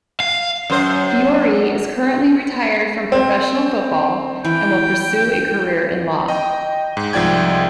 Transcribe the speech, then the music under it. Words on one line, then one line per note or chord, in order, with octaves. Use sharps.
Fiori is currently retired from professional football and will pursue a career in law.
F5
F#2 C5
C4
E3 G5
D#5 G5
G#2
C2 G#2 F3 D5 G5 G#6